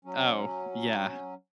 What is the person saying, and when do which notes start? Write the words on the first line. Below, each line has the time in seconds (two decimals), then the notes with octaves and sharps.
Oh, yeah.
0.05 F#3 C#4